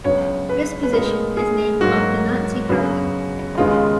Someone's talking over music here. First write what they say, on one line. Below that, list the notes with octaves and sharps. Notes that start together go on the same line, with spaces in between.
This position is named after Nancy Kerrigan.
C#2 C#3 F#3 B3 C#5
B4
B4
A#2 G#3 B3 A#4
G#4
G#2 F#3 A#3 F#4
F#2 C#3 F#3 B3
D#2 C#3 G#3 B3 F4